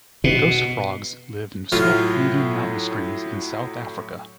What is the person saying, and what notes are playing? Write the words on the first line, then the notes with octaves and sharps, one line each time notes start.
Ghost frogs live in swift-moving mountain streams in South Africa.
B2
A2 F#3 F4